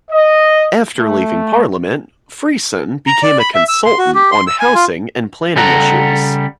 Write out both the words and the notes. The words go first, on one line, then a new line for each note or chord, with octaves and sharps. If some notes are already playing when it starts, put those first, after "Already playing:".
After leaving Parliament, Freeson became a consultant on housing and planning issues.
D#5
A3
A#5
D5
B5
E5
E6
C6
F#4
G4
C6
E6
G#5
F4
C#3 G3 A4 F#5 A#5